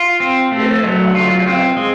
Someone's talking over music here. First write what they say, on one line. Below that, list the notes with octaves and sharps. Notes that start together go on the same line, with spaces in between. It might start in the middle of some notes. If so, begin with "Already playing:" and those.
Yeah! Oh, my gosh.
Already playing: F4
C4
A3
F#3
F4
C4
G#3